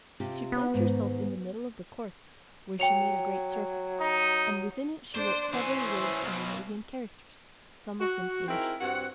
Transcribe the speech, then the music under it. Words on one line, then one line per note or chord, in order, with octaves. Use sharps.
She placed herself in the middle of the court, where she made a great circle, and within it she wrote several words in Arabian characters, some of them ancient.
C3 F4 G4
B3
G#2 D#3
F#3 G5 C#7 F7
D#4
D4 C5 D5
E3 C#4 C5
B1 B2
F#4
C4 D#4 E4 G#4 A#4
G2 C4 F#4 F#5